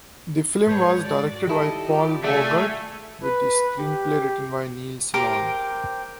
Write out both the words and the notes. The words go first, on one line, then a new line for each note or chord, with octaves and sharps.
The film was directed by Paul Bogart with the screenplay written by Neil Simon.
G#2 G#3 B4 C#5 A5 G6
F#4 D5
D#3 G3 E4 G4 A4 D#5 A5
F4 G4 D5
C2 A3 F#4 G#4 D5 E5 F5 G#5
B4
G4
G4 A#4 C5 D6